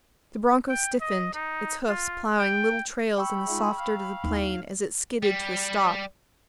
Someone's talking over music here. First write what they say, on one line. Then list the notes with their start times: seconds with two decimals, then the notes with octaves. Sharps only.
The broncho stiffened, its hoofs ploughing little trails in the soft dirt of the plain as it skidded to a stop.
0.69 G5
1.01 D#5
1.34 D#4
1.88 F4
2.39 G5
3.18 G5 B5 C#6 E6
3.48 G#3 D#4 F4
3.78 F5
4.24 D#2 E4
5.23 G3